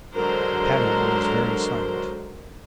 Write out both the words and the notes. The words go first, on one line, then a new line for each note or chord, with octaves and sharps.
The patio was very silent.
D3 F#3 G#3 A#4 C5